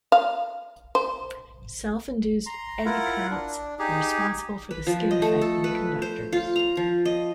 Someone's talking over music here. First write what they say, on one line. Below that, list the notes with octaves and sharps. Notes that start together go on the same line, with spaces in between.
Self-induced eddy currents are responsible for the skin effect in conductors.
F5
C5
A#5 C6
E4 F4 A#4 F#5
D4
D#4 G4 G#4
B4
F3
D#5
A3
A4
B4
C5
F4
A#5
F3
D#5